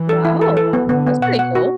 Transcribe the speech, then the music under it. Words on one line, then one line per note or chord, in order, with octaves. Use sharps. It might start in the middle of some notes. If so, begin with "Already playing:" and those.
Wow, that's pretty cool.
Already playing: E3
A4
E4
A4
A4
B3
D3 B3
B3
B2 F#5
F#5
F#4